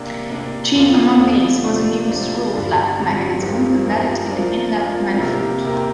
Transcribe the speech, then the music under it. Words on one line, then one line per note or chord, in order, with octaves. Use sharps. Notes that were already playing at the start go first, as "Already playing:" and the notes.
Chief among these was a new 'swirl flap' mechanism embedded in the inlet manifold.
Already playing: C3 A#3 D4
C3 A#3 D4
F2 D3 F3 D4 F4
F2 D3 F3 D4 F4
C3 F3 D4
C3 F3 D4
G2 D3 G3
G2 D3 G3
G2 F3 C4 G4 A#4
G2 F3 C4 G4 A#4
F3 D4 F4 A#4
F3 D4 F4 A#4
C3 A#3 G4 A#4
C3 A#3 G4 A#4